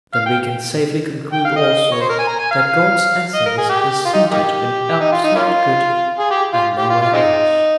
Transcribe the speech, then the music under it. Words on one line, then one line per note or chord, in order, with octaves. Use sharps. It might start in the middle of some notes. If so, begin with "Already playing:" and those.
'Then we can safely conclude, also, that God's essence is seated in absolute good, and nowhere else.'
F5
G5
G5
F5
D#5
C#5
C5
A#4
G#5
A#5
G#5
F5
D#5
A#4
G#4
G4
F4
D#4
A#3 D#4 G4
D#4
F4
D#4
A#3 C#4 F4
G#4
G4
F4
G4
F4
F4
G#3 C4 D#4